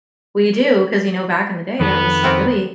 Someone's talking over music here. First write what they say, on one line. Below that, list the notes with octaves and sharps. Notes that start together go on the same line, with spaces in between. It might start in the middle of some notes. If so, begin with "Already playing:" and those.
we do 'cause, you know, back in the day, that was really
F2 D#3 B3 A4
A#3 C4 F#4